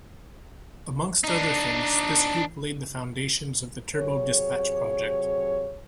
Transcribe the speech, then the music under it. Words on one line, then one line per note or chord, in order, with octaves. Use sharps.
Amongst other things, this group laid the foundations of Turbo Dispatch project.
D4 D#4
C3 F#3 G#4 C#5